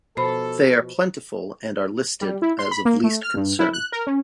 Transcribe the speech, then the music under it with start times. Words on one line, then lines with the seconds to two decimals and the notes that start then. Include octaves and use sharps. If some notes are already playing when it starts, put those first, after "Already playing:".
They are plentiful and are listed as of Least Concern.
0.17 B2 F3 A4 C5 B5
2.21 G3
2.42 E4
2.59 C6
2.71 B5
2.85 A#3
3.04 A3
3.23 F6
3.36 G2
3.59 E4
3.73 F#6
3.92 A#4
4.07 C#4